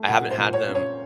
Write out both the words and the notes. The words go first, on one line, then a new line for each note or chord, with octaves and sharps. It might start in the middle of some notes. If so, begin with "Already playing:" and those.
I haven't had them
Already playing: A3
A#2 F#5
C5
A#2
C#5
C#4
C#5